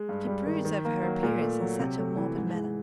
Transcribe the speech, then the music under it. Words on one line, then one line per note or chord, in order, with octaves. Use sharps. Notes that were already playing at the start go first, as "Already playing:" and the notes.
She broods over her appearance in such a morbid manner.
Already playing: G#3
G2
G3
D#3
D#3
A#3
F#3
A#2
A3
F#3
C3
A3
E3
G#2
G#3